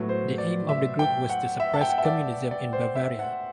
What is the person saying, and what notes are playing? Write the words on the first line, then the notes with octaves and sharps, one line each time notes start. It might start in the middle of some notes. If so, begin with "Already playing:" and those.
The aim of the group was to suppress Communism in Bavaria.
Already playing: A2 F#3 B3
C5
D5
E5
G5
F#5
E5
A5
G5
F#5
E5
D5
D5
C5
E5
F#5